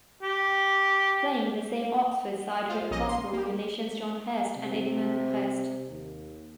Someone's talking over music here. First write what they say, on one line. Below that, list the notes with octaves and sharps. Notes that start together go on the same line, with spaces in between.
Playing in the same Oxford side were possible relations John Hurst and Edmund Hurst.
G4
F4 C5
A#1 A#3 C#4 D#5
C6
A#3 G4
C3
D#2